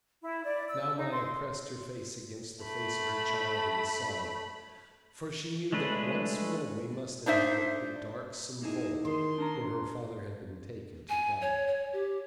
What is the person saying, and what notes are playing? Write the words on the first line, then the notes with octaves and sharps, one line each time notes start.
Now Maya pressed her face against the face of her child and sobbed, for she knew that once more we must inhabit the darksome vault where her father had been taken to die.
E4
D5
E6
D#4
C6
A3 B5
G#3 A3 D4 B4
D4 D#4 C5 E5
A#3 D#4 E4 G#4
D#3 C6
D4 A#4 A#5
G#5
C#5
C#5
G4